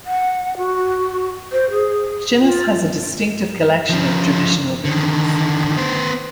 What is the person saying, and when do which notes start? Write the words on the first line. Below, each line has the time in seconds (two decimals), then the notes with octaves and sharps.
Shinas has a distinctive collection of traditional buildings.
0.06 F#5
0.57 F#4
1.53 C5
1.71 G#4
2.40 F4
3.90 F3 C#4
4.85 D3 D#3
5.77 B3 C5